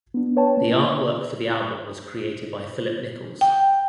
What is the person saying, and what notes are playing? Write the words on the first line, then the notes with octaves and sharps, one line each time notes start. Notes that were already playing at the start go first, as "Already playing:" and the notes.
The artwork for the album was created by Phillip Nichols.
B3 D4
B4 C#5 G5 A5
A#3 C#4
G5